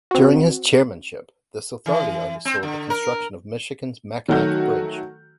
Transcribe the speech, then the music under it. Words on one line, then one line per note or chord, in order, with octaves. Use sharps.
During his chairmanship, this authority oversaw the construction of Michigan's Mackinac Bridge.
C4 F#4
E3
C4
D3
A#4
D#3 F#3 A3 F#4 F6 G6